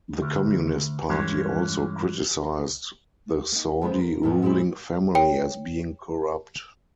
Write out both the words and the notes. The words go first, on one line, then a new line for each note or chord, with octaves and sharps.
The Communist Party also criticized the Saudi ruling family as being corrupt.
D2
G2 E3 G#3 C#4
A#3 D#4
D2 G#3 B3 F4 C5
A#4
A2 D#3 F3 A#3 B3
A#2 G#3 C4 E4
C#5 G5